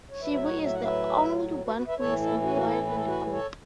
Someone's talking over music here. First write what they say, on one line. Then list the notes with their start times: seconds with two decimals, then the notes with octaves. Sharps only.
Shibu is the only one who is employed in the group.
0.10 C#5
0.21 A2 F#3 B4 E5
0.33 E5
0.43 C#5 F#5
0.65 E5
0.74 F#5
0.83 B4 E5
1.65 F#4 B4
1.75 F#4 B4
1.86 B4 E5
1.98 A2 E3 A4 C#5
2.20 E4 A4
2.42 C#4 F#4
2.56 F#4
2.64 E4 A4
2.87 B4
2.95 A4
3.06 F#4 B4
3.26 B4
3.31 A4 C#5